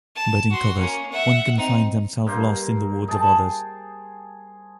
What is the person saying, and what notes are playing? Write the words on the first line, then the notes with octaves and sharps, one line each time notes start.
But in covers one can find themself lost in the words of others.
A5
F#4 C6
A#3 C#4
E5 F#5
C4 D#4
G2 A#3 C5
G#4 G5 A5